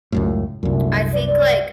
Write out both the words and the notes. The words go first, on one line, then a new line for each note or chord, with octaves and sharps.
I think, like,
C#2 F#2 A2
C2 F#2 A#2 D3 A3
D5